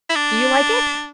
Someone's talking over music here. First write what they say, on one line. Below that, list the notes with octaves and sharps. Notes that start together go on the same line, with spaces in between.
Do you like it?'
E4
D4